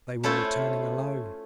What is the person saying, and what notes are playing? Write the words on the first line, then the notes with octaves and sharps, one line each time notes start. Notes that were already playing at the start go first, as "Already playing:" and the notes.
They were returning alone!...
A3 C#4 E4 F4 A4 C5